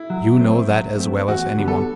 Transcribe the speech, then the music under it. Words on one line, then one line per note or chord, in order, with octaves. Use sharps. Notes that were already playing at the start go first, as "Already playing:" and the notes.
You know that as well as any one.
Already playing: E4
F#3
A3 C4
F#3
A3 C4
E2 F#4
D3 G3 B3
A4